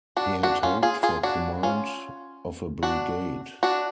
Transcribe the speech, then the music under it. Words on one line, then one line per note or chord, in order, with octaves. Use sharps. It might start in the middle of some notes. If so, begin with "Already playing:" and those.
He had hoped for command of a brigade.
D4 F#4
D4 F#4
C#4 F4
F4 G#4
F4 G#4
D4 F#4
C#4 F4
D4 F#4
D4 F#4